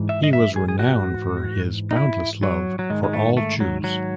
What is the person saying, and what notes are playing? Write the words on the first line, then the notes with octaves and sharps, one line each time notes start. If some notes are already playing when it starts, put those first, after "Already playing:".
He was renowned for his boundless love for all Jews.
Already playing: G#2 E3
E5
D#5
E5
G#4
G#4
F#4
D#4
E4
F#3
F#3
G#2 D#3 G#3
G#3
A3
A3
F#3
F#3